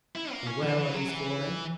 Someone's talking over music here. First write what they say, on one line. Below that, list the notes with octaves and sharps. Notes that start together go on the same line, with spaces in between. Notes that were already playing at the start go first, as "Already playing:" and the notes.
"And where are these four men?"
E4
A#3
C#4
E3
E3
F#3
E3